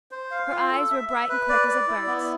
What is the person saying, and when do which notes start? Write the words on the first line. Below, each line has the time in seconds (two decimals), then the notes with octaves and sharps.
Her eyes were bright and quick as a bird's.
0.11 C5
0.31 F5
0.52 F4
0.70 A4
0.91 E5
1.09 E5
1.29 B4
1.49 D5
1.68 D5
1.87 E4
2.07 B3